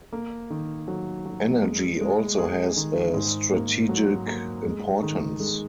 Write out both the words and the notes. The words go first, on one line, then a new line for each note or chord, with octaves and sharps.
Energy also has a strategic importance.
A#3
D#3
F#3
F#3
G#3
G#3
G#4
D#3
G#2
A#3
F#3
A#3
G#3
D#3
G#3